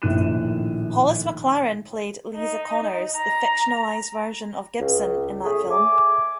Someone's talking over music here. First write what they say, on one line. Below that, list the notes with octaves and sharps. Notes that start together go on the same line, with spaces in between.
Hollis McLaren played "Liza Conners", the fictionalized version of Gibson, in that film.
A#1 A2 D#3 F#6 D#7 E7
D#4
A#5
C#2
A3 C#4 G#4
E5 G#5 D6